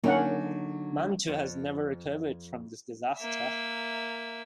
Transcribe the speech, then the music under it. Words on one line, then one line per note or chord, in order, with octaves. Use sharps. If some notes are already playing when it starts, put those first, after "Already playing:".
Mantua has never recovered from this disaster.
D3 F#3 A#3 C#4 D#4 F#5
F2
A#3 E5